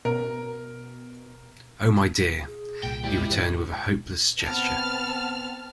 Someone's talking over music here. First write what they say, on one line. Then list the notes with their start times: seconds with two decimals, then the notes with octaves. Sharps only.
"Oh, my dear," he returned with a hopeless gesture.
0.05 B2 A#4
2.46 G#4
2.83 C2 A#2 G5
3.04 C3 G3 G#3 E4 G4
3.30 G#2 E3 G4 B4 C#5
4.41 B3 C4 A5 F6